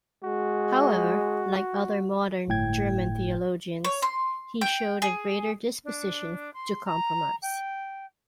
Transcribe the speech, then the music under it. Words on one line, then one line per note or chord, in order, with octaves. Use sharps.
However, like other modern German theologians, he showed a greater disposition to compromise.
G#3 F#4
G1 A2 G5 G#6
C#5
C6
G5
G#4
D4
C6
A#5
G5